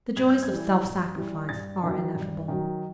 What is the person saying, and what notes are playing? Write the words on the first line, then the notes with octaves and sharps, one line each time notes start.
The joys of self-sacrifice are ineffable.
G2 G#6
G6
G#6
E3 G3
G2
E3 G3
G2 A6
D#3 F#3
G2
D#3 F#3